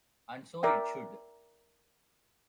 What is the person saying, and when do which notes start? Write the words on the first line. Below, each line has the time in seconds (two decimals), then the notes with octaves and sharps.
And so it should.
0.63 A#4 D5 E5 G5